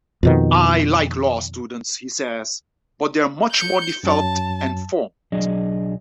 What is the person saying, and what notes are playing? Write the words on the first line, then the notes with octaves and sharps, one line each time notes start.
'I like law students,' he says, 'but they're much more developed and formed.
F2 B2 D#3
G6 C#7
F#2 F#3 A5
B1 F#3 D4 G#4 D5 D#5